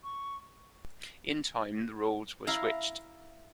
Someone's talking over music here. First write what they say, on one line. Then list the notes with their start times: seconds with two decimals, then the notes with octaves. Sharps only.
In time, the roles were switched.
0.04 C#6
2.47 E4 F5 A#5